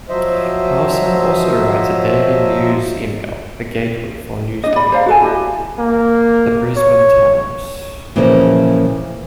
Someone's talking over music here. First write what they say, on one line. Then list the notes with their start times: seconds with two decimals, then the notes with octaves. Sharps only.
Howson also writes a daily news email The Gateway for newspaper "The Brisbane Times".
0.09 F3 F#3 C5 D#5 E5
4.64 D4 D#5
4.76 D5 B5
4.92 C5 D5 F5 A#5
5.06 F#4 A4 G#5
5.22 E4 G4 D#5
5.79 A#3
6.76 C#5
8.16 A#2 C#3 E3 F3 A3 A#3